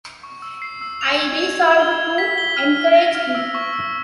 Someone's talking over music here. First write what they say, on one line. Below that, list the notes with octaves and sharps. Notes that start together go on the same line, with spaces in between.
I resolved to encourage him.
C#6
E6
C7
E6
F7
G#6
F7
G#6
G7
G7
B6
G7
F6
F6
A#6
F6
E6
C#6
E6